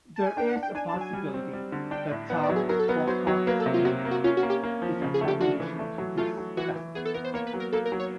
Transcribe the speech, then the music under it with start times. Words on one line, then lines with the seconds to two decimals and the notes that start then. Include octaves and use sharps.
There is a possibility that Tom Bawcock's Eve is an evolution of this festival.
0.16 A5
0.26 G#5
0.37 D4 G5
0.49 F#5
0.56 D4
0.63 G5
0.75 D4 G#5
0.89 A5
0.94 F#3
1.01 G#5
1.13 G3
1.34 C4
1.53 G3
1.72 D3
1.91 D4 G5
2.11 A2
2.30 B3 F#5
2.43 D5
2.49 F#3
2.56 G#4
2.69 F#3 A#4
2.79 A4
2.88 B3 A#4
3.07 F#3 C5
3.27 F#3
3.47 A#3 B4
3.60 A4
3.66 C3
3.74 F4
3.85 C3 F#4
4.05 A#3
4.11 F#4
4.24 C#4 F4
4.37 F#4
4.43 A#3
4.50 G4
4.64 A#3
4.82 F3
5.02 C#3
5.14 G#4
5.21 A3
5.28 G4
5.40 D4 F#4
5.60 E3
5.79 A3
5.98 F#3
6.17 A3 F4
6.37 F#3
6.57 E3 F#4
6.76 E3
6.95 B3 G#4
7.05 A4
7.14 B3 A#4
7.25 C5
7.34 A#3 C#5
7.47 B4
7.54 F#3
7.60 A#4
7.73 A#3 A4
7.86 A#4
7.92 F#3
8.00 C#5